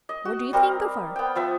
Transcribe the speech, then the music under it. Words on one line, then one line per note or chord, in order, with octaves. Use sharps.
What do you think of her?'
D#5
F#4
G3 C4 A#4
B3 G5
F3 B3 E5